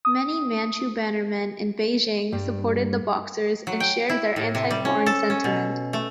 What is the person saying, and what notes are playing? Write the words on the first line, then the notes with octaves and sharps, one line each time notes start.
Many Manchu Bannermen in Beijing supported the Boxers and shared their anti-foreign sentiment.
D#6
G2 G3
F#3
G5
E4
A2
C3
G3
C#4
A4
C#4
B2
A3